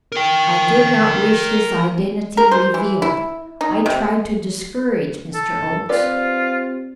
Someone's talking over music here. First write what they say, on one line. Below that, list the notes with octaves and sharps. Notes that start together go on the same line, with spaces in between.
I did not wish his identity revealed; I tried to discourage Mr. Oakes.
A#4 G5
A#4
C5
E3
E4
D#4
C3
A4
C4 F4 G4 B4 D5